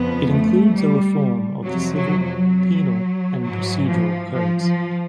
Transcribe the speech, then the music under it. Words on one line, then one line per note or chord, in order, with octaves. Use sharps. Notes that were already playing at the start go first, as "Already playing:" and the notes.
It includes a reform of the civil, penal, and procedural codes.
Already playing: F2 C#3 F3 B3
A3
G3
F2 C3 F3 F#3
F#3
F#3
G#2 E3 F#3
F3
F3
F3